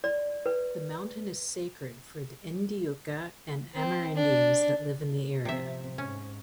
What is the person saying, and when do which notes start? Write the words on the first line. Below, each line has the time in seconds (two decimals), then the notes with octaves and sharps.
The mountain is sacred for the Ndyuka and Amerindians that live in the area.
0.04 D5
0.46 B4
3.75 C4
4.16 D4
5.45 C3 F3 C4 E5
5.98 G#2 C#4